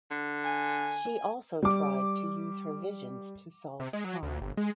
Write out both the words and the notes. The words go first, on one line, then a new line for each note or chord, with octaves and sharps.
She also tried to use her visions to solve crimes.
D3
G#5
G3 D6
C3
G#3
F#3
D2
G1
G#3